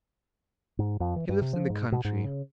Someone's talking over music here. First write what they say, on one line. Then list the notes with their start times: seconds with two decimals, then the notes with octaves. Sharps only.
He lives in the country.
0.79 G#2
1.00 F2
1.16 E3
1.29 G2
1.41 C3
1.53 F3
1.70 G#2
1.92 B2
2.05 G#2
2.24 C#3